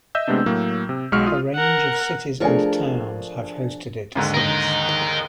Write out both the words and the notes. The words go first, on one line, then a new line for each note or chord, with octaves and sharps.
A range of cities and towns have hosted it since.
D#5 E5 E6 G6
C3 G#3 A3 B3 D4
A2 F#3 A#3
C3
B1 G#3 F#4 C#6 F6
F4 D#6
A#4 F#5
F3 A3 D4 G#4 A#4 C#6
D#2 G#2 D3
A#4 D#5